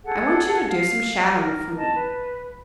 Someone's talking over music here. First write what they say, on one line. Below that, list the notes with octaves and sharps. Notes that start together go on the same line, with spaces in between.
"I want you to do some shadowing for me."
G#4 A4 F#5
F5
A#4
D#5 A5
B4